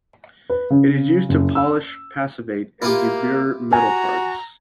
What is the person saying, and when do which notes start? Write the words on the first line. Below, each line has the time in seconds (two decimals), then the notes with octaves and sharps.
It is used to polish, passivate, and deburr metal parts.
0.50 B4
0.70 C#3
1.29 F#1
1.55 E6
2.82 A#3 E4 F4 G4
3.73 F#4 G#5 A#5